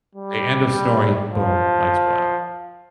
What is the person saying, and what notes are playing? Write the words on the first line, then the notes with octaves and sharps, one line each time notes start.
Say, end of story, boom, lights go out.
G3
F3